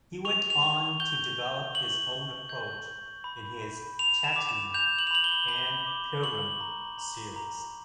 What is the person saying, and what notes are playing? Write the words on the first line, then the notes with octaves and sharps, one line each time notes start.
He went on to develop his own approach in his "Chaitanya" and "Pilgrim" series.
C#6 F7
F7
C#6
G6 G7
C#6
C#6 F#7
C#6
G6
C#6
B5
B5
B5 F7
E7
D6
E7
G6 F7
F#7
F7
B5 F#7
G7
B5 G7
D6
C#6 F#7
A#5
A#5
A#5